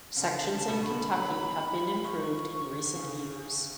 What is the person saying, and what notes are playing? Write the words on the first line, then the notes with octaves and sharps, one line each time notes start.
Sections in Kentucky have been improved in recent years.
C#3
D3 F#5
A5
C#3 A5
B2
D3 B5 C#6
F#3
F#3
F3
F3 C#6
D3
C#3